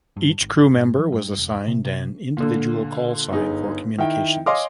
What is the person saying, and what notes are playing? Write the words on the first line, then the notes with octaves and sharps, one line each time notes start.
Each crew member was assigned an individual call sign for communications.
G2
G#1
G#2
F3
G2
E1
C3
C3
A#2 D3
G1 D#4 G#4
D#3 E4 G5
C#5 D#5 F5 G#5 C6 D6